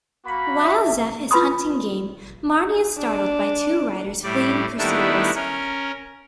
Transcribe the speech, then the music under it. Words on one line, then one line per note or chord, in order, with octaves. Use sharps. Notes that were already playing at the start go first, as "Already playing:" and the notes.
While Zeph is hunting game, Marnie is startled by two riders fleeing pursuers.
A#3 F#4 B5
E5
F4 B4 B5 C6 D#6
D4
A2 G3 D5
D#3 G3 A3 B3 D4 E4
C#4 A#4